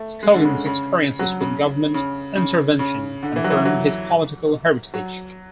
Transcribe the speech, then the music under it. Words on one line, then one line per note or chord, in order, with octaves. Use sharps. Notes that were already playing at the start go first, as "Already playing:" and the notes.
Scoggins's experiences with government intervention confirmed his political heritage.
Already playing: A3
G#3
D3
C#3
C#3
F#3
C#3
C#3
C#3
C#3
D3
E3
F#3
E3
F#3
F#3